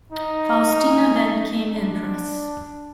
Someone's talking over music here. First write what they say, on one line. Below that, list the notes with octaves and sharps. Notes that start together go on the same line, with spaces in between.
Faustina then became empress.
D#4
D4